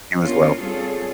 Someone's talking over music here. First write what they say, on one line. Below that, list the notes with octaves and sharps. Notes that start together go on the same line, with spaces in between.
You as well.
B3 C#4 D4 F4 A#4 C#5
G3 C4 F4 G#4 A4 C#5